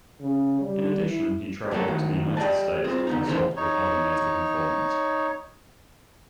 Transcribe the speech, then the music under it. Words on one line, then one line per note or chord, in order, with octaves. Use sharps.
In addition he traveled to the United States to consult with other native informants.
C#3
G3
E4
F#3 A3 A#3 G4 A4
A2 D#3 F#4
G4 D5 D#5 A5
C4 F4 G#4
D3 B3 D#4
C#3 E3 A3 D#4 A#4 C5
D#4 C#5